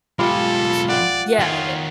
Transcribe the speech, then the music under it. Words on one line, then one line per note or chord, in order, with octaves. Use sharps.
Just Yeah, i
B1 G3 G#3 F4 A4
D5 F#5 G5
D#3 F4 C#5